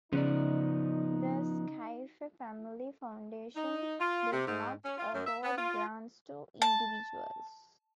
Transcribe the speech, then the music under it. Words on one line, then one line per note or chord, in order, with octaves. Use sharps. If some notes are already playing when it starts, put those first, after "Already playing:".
The Scaife Family Foundation does not award grants to individuals.
C#3 F3 B3 D#4 D5
D#4
F4
C3
G#2
C#4
F4
F#2
E5
B3
F4
A5